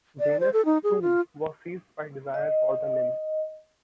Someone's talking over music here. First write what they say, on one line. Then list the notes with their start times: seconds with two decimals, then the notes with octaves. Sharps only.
Janus too was seized by desire for the nymph.
0.20 D5
0.40 C5
0.53 A4
0.65 D#4
0.84 G#4
1.02 F4
2.34 D#5